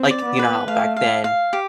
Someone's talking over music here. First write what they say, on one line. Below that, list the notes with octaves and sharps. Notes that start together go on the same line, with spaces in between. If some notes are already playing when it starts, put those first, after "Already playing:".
like, you know how back then
Already playing: C4
D5
B3
B4
A3 F5
F5
F5
G4